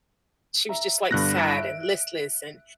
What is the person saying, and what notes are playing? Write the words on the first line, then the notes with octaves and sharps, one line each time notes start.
she was just, like, sad and listless, and,
E5 A#5
G2 D3 B3 F#6 A#6
E4 A#5
E5 D7